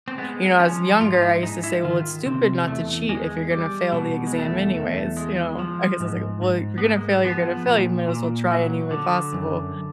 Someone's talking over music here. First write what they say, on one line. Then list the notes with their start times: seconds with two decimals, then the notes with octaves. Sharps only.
You know, as younger, I used to say, "Well, it's stupid not to cheat if you're gonna fail the exam anyways," you know? I guess I was like, "Well, if you're gonna fail, you're gonna fail, you might as well try any way possible."
0.08 C4
0.18 G#3 B3
0.59 F3 C#4
1.01 G#2 F4
1.22 E4
1.43 G#2 D#4
1.64 E4
1.84 D#3 F4
2.26 C3 C4
2.67 E2 A3
3.09 E2 G#3
3.51 G3
3.92 B2
4.27 G#3
4.34 E2 A3
4.76 E2
5.17 G#3
5.59 F3
6.00 G#2
6.42 G#2
6.78 B3
6.83 G#3 A#3
7.24 F3 B3
7.66 A#2
8.08 A#2
8.50 F#3
8.91 D3
9.33 F#2